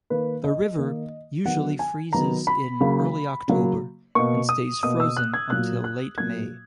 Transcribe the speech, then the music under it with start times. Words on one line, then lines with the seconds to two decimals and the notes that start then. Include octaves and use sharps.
The river usually freezes in early October and stays frozen until late May.
0.10 D#3 A#3 B4
0.44 D#5
0.78 D#3 A#3
1.45 D#3 F#3 B3 F#5
1.79 G#5
2.13 D#3 F#3 B3 A#5
2.47 B5
2.81 C#3 F#3 A#3
3.48 C#3 F#3 A#3
4.15 B2 A#3 C#6
4.49 D#6
4.83 B2 A#3 D#6
5.00 E6
5.17 F#6
5.34 G#6
5.50 A#2 F#3 A#3 F#6
5.84 F#6
6.18 A#2 F#3 A#3 G#6